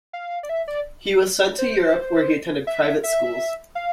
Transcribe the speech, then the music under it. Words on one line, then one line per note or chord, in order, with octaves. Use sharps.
He was sent to Europe where he attended private schools.
F5
D5
E5
D5
C5
E5
E5
F5